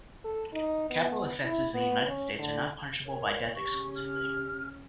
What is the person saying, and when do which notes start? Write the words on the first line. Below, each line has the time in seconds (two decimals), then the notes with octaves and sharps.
Capital offenses in the United States are not punishable by death exclusively.
0.25 A4
0.53 D#4
0.90 B3
1.44 E4
1.74 B3
2.06 C#4
2.39 D3
3.05 A#4 C#5
3.55 C#3 C#4 G4 C#6
3.96 F6